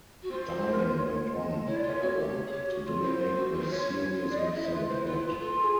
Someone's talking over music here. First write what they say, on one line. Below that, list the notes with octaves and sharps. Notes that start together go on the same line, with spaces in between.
Darling went on, however, to dominate the series with the bat.
F#4
F4 C5
A#4
B4
C5
C#5
D#5
E4 C#5
D5
F4 C#5
F#4
G4
C#5
G#4
G4
F#4
F4
E4 C5
F4
F#4
F4
C5
F4 C#5
F4
E4
F4
D5
F4 D#5
E4 E5
C5
F4 B4
E4 C5
F4 B4
E4
F4
F4 A4
G#4